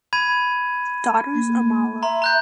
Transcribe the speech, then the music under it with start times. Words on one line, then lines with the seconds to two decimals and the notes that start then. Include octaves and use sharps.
Daughters Amala.
0.13 B5 G#6 D#7
1.34 A#3
2.03 E5 A#5 C6
2.22 A#5 F#6 G6